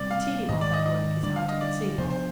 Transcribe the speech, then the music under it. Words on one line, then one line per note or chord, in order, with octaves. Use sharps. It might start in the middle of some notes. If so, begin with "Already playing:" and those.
The tedium of that work is hard to conceive.
Already playing: C3 G3 C4 D5
F5
G#2 D#3 G#3 D#5
D5
D#5
D#5
D3 G3 D4 D5
F5
D#5
D5
C3 F3 B3 D4 C5
C5